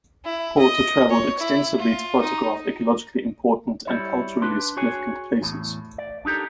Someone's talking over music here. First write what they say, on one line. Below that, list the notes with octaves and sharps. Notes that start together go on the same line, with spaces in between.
Porter traveled extensively to photograph ecologically important and culturally significant places.
E4
D#5
C#5
E4
F4
D#4
G3 E4 C#5
D4 B4 C6
F#4 G#4 C#5 G#5
E2 A2
D5
D4 D#4 G4 A4 A#4